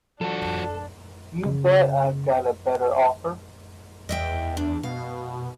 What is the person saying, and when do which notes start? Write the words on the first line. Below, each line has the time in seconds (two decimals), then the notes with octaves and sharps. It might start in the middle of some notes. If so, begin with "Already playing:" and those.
You bet I've got a better offer.
0.21 F3 D4 F#4 A4
1.46 C#3
4.09 E2 D#5 E5 G5
4.57 D4
4.83 B2 F5